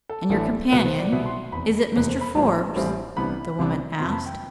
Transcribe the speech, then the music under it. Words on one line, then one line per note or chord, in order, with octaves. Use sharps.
"And your companion--is it Mr. Forbes?" the woman asked.
A4
A1 A2 E3 A3 D4
C2 B2 B3 B4
C5
D5
C2 B2 B3 E5
C6
F1 E2 C3 B5
F1 E2 C3 B4
C5
B5
A1 A2 G3 C4 A5
A1 A2 G3 C4
C2 C3 E3 B3 D4 B5
C2 C3 E3 B3 D4
F2 C3 F3 B3 C6
A5
B5
G5